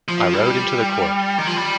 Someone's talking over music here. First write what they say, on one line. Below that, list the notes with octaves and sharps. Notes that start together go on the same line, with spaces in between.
I rode into the court.
F3
G3
D#3
F3
G3